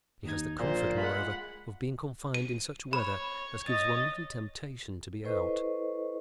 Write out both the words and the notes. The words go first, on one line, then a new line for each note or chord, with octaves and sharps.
She has the comfort moreover of being confined in such weather as gives one little temptation to be out.
D#2 D#4 G#6
A#1 A#2 C5
G#3 F4 F#5 B5
D#7
C#5 B5
D#5 A6
E4 A4 B4 C5 D#5 C#6